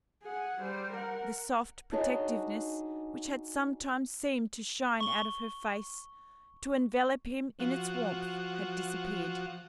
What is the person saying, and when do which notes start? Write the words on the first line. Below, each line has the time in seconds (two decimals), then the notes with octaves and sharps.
The soft protectiveness which had sometimes seemed to shine out of her face, to envelop him in its warmth, had disappeared.
0.23 G#4 F#5
0.61 G3 C5
0.93 A#4 F#5
1.92 D4 D#4 F#4 G#4 C#5 D#5
5.00 C#6 G7
7.60 F3 F#4